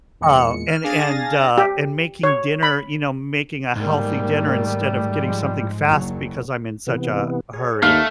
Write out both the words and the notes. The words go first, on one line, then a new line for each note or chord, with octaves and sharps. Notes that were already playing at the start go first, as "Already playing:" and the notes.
uh, and and, uh, and making dinner, you know, making a healthy dinner instead of getting something fast because I'm in such a hurry.
E2 A#2 G#3 C#7
F6
D4 G#4 F5 G#5 A6 A#6
G4
C#5
B5
G#2 D#3 G3 A3 A#3
F3 G#3
F#1 D#2 F#3
C3 E3 B3
G#4 C#5
D#2 A3 F5